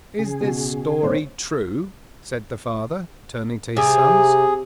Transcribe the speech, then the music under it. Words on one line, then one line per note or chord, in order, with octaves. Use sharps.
'Is this story true?' said the father, turning to his sons.
C#3 G#4
B2
G#1 A#2 C4 D4 C5 C#5
C3 G#4